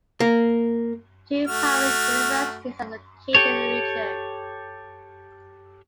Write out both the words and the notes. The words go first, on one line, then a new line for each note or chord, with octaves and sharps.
Two private universities are located in the region.
A#3
A3 F#4 F6
G4 A4 C#5